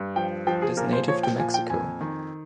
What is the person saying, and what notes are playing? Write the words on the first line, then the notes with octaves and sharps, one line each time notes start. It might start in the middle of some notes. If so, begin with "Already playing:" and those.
It is native to Mexico.
Already playing: G2
F3 G5
F3 G5
G#4
A#2 A#4
C5
F3 C#5
G5
A#2 G#5
G5
F2 G#5
D#3